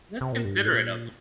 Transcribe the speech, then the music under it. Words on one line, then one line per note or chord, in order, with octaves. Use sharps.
That's considerate of them.
C3
A#2
G2
G#2
A#2